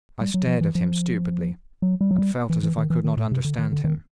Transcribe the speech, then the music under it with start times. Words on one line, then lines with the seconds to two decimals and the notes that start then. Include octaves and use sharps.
I stared at, him stupidly, and felt as if I could not understand him.
0.21 G3
0.34 F#3
0.47 F3
0.61 E3
0.75 F3
1.82 F#3
2.01 G3
2.11 F#3
2.18 G3
2.50 E3
2.63 E3
2.78 D#3
2.90 E3
3.04 D#3
3.17 A2
3.31 C3
3.45 D3
3.59 D#3
3.72 D3
3.85 D#3